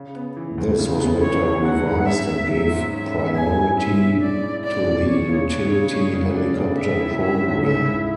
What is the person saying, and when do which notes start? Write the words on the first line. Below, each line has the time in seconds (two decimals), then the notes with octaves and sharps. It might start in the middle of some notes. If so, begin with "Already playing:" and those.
This was later revised and gave priority to the utility helicopter program.
Already playing: C#3
0.15 B3
0.37 E3
0.58 D2
0.79 C#3
1.00 B3
1.22 E3 C#5
1.43 D2
1.65 F#3 F#5
1.86 G#2
2.07 C#4 E5
2.29 G#2
2.50 F#3 E5
2.72 G#2
2.93 C#4 E5
3.14 G#2
3.36 G#3 G#5
3.57 E4
3.78 C#4 E5
4.00 B2
4.21 G#3 D5
4.42 E4
4.64 C#4 D5
4.86 B2
5.07 G#3 C#5
5.28 C#3
5.50 D4 C#5
5.72 C#3
5.93 G#3
6.14 C#3
6.35 D4 D5
6.57 C#3
6.78 G#3 E5
7.00 E4
7.21 C#4 E5
7.43 G#2
7.63 G#3 E5
7.85 E4